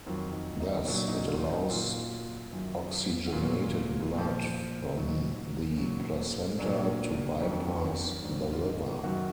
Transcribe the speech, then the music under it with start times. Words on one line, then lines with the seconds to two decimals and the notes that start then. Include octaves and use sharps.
Thus, it allows oxygenated blood from the placenta to bypass the liver.
0.06 F2 D#3 F#3 F4
0.33 D#4
0.60 D#4
0.87 A#2 F#3 D4
1.08 D#4
1.28 F4
1.49 D#4
1.69 A#2 F#3 F4
2.51 F#2 D#3 F#3
3.28 F#4
3.32 A#2 F#3 F4
4.14 A#2 F3
4.95 A#2 F#3 D#4
5.77 A#2 F#3
6.58 A#2 F#3 D4
7.41 F2 D#3 F#3
8.22 G#2 D#3 F#3 D4
8.43 F#4
8.53 F4
8.63 D#4
9.03 F#2 D#3 F#3 F#4